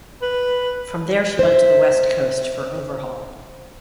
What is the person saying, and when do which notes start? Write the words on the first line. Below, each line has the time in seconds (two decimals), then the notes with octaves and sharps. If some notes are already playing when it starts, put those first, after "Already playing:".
From there, she went to the West Coast for overhaul.
0.22 B4
1.39 C5 E5